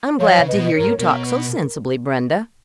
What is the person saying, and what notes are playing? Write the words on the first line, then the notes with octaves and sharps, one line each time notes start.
I'm glad to hear you talk so sensibly, Brenda.
F3 C#5 F5
C#3
B4 D#5
A#2
B2
B4
A#4 C#5
G#2
B2 A#4 C#5
B4
A#4